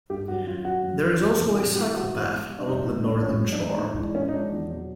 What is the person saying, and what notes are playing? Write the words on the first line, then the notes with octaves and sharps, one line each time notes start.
There is also a cycle path along the northern shore.
G2 G4
D#3 F#3 F#4
F#2 F4
D#3 F#3 F#4
F#2
D3 F3
F2
C3 E3
A2 G4
E3 G#3 G4
G#2 F#4
E3 G#3
B2
G3
D4
F2 D#4
D3 F3 G#3 D#4
A#2 D4
F3 C#4
G#3
F#2
D4
D#3 G#3 D#4
A2 D#4
E3 G#3 D4
A2 C#4
D#4
F3 G#3 D4
E2
B2 F#3